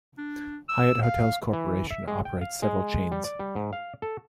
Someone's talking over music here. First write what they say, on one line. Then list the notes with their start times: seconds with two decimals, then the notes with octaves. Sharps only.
Hyatt Hotels Corporation operates several chains.
0.18 D4
0.69 E6
1.03 F5
1.53 E3
1.90 E5
2.08 G#3
2.25 G5
2.41 F5
2.62 G#3
3.12 G3
3.24 D5
3.39 G3
3.55 G#2
3.73 F5
4.02 A4